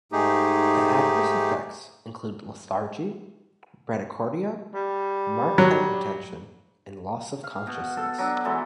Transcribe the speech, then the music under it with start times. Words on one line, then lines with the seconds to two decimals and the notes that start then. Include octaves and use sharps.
The adverse effects include lethargy, bradycardia, marked hypotension and loss of consciousness.
0.12 G#2 A3 D#4 G4 G#4
4.74 G3
5.58 F#3
7.43 F5
7.67 B2
7.97 A4
8.18 F#3 D4
8.45 E3 F#3 G#3 A4